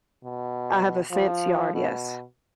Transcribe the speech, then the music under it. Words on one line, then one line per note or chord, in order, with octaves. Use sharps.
I have a fence yard, yes.
B2
F3
B2